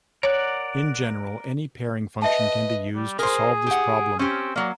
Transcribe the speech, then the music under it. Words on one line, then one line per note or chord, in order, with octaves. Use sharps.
In general any pairing function can be used to solve this problem.
A#4 C#5 D5 F#5
B4 D#5 E5 A5
G3
G#4 A#4 C5
G4 F#5
C4 C#4 G4
F#3 A#3 D5